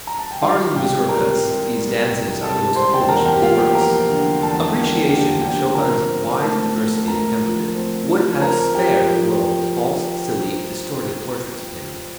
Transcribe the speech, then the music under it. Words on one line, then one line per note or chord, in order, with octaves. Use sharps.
Barring the mazurkas, these dances are the most Polish of his works. Appreciation of Chopin's wide diversity of temperament would have sparedthe world the false, silly, distorted portraits of him.
A#5
A5
G5
G3 F4 F5
C2 G4 G5
C3 A#4 A#5
C2
G3
C2
C3 A4 A5
C2 C5 C6
G5
A5
E2 A#4 A#5
G4 G5
A#3 F4 F5
G4 G5
F3 A#4 A#5
D3
E2 A4 A5
A#3
D3 G4 G5
D3 G4 G5
F3 A#4 A#5
C4
A3 A4 A5
A3
A3 A#4 A#5
F3
C4
F3
C4 A#4 A#5
F3 G4 G5
F3